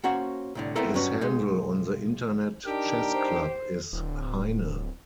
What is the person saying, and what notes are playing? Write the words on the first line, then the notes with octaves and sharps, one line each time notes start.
His handle on the Internet Chess Club is "Heine".
A#3 C#4 F#4 C5 C#5 F#5
C2 A2 D3
A3 B3 C4 E4 A4 A#4
G2 F#3 C#4 F#4 B4
B1 G#3 D#4
D4 D#4 G4 A#4
C5
D1